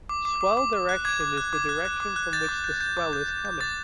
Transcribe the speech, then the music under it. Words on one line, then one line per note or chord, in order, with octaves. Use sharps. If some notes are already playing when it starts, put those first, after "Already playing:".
Swell direction is the direction from which the swell is coming.
D6
D6
D6
D6
D6
F#6
D6 G#6
D6
F#6
D6
F#6
F#6
D6
F#6
G6 A6
D6
G6
G6
D6
G6
G6
G6
D6 A6